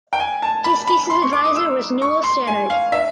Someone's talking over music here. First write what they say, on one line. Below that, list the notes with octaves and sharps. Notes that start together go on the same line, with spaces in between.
His thesis advisor was Newell Stannard.
G5
G#5
A5
B5
B5
C6
C#6
D6
D#6
E6
C#6
C6
G#5
F5
E5